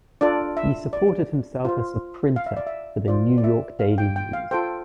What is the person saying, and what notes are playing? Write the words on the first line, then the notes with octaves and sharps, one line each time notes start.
He supported himself as a printer for the New York Daily News.
D4 F4 A4 D5
E5
D5
F4 C5
F5
E5
D5
E5
F4 C5 D5
D5
E5
F5
G5
G5
F5
F4 A4 C5 G5